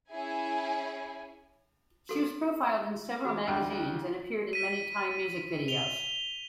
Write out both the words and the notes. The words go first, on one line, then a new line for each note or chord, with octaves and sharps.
She was profiled in several magazines, and appeared in many Thai music videos.
C#4 E4 G#4 G#5
F#4 A4
F#4 G#4 B5
D2 G3 G5
B6 D#7
F7 G7